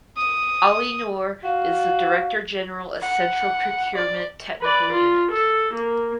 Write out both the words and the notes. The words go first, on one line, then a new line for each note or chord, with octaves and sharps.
Ali Noor is the Director General of Central Procurement Technical Unit.
D#6
F#4 F5
F#5
D5
B4 D5
F4
A4
A#3